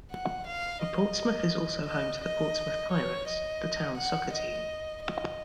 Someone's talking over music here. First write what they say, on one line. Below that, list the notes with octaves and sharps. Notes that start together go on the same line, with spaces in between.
Portsmouth is also home to the Portsmouth Pirates, the town's soccer team.
F#5
F5
D#5
D#5
D#5
C#5
D#5
F#5
D#5
D#5